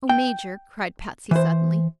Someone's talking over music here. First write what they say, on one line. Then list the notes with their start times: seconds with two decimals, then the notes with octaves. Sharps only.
"Oh, Major!" cried Patsy, suddenly.
0.09 G5
1.31 E3 C5